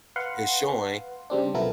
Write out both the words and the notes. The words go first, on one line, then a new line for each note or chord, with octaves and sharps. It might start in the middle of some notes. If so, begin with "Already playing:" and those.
is showing
B4 F5 F#5 C6
C#3 G3 C4 D4
B1 F3 B3 E4 A4 A#4